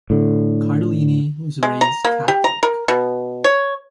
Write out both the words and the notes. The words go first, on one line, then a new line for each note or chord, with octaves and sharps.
Cardellini was raised Catholic.
A2 D3
G#3
A#5
A#3
G4
A#5
A#4
B2
C#5